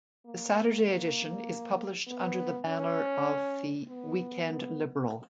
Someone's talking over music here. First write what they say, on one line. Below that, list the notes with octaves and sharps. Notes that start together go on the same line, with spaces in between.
The Saturday edition is published under the banner of the "Weekend Liberal".
A#3
A#3
B3
C#4
B3